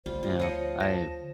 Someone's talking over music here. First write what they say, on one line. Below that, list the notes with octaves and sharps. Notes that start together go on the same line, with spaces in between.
Yeah. I
D2 G3 F4 C5
F4
F3 C#5 D#5 F5 C#7
A5 A#6